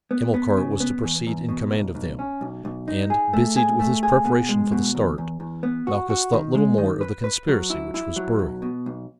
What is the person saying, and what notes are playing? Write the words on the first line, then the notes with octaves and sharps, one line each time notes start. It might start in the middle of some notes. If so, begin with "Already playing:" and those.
Hamilcar was to proceed in command of them, and, busied with his preparation for the start, Malchus thought little more of the conspiracy which was brewing.
B3
B3
C#3
B3
E2
E2
B2
B1
B1
C#4
B1
B1
D#4
G#4
A3
G#4
A3
G#4
B2
G#3
B2
E2
E2
E2
B3
F#4
F#4
D#3
G#3
D#3
B4
B4
F#3
E4
E4
F#3
B1
B2
B1